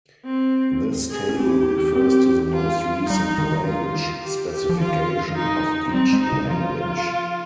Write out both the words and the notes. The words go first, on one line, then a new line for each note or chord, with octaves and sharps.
This table refers to the most recent language specification of each language.
C4
G#4
C#4
C4 G4
C4
F4
G3 D#4
D#3
F4
G4
G4
F3
D#3 F4
D#4
G3 C4
G#3
D#4
C#3
F3 F4